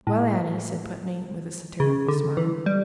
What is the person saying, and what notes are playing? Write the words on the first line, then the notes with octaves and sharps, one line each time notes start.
"Well, Annie," said Putney, with a satirical smile.
A2
C#3
D3
E3
G3